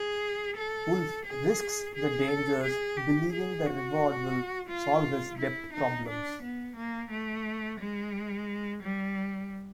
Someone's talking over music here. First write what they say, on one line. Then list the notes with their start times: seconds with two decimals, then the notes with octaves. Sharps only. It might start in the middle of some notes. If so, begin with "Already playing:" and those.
Wolff risks the dangers believing the reward will solve his debt problems.
Already playing: G#4
0.56 A4
1.25 G#4
1.95 G#4
2.28 A4
2.63 G#4
2.97 G4
3.32 G#4
3.66 F#4
4.69 F4
5.38 E4
5.73 D#4
6.08 D4
6.43 B3
6.76 A#3
7.10 A3
7.79 G#3
8.83 G3